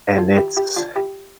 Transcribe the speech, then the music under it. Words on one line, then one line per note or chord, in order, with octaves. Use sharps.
and it's
F4 A4
E4 G4
E4 G4
D4 F4
E4 G4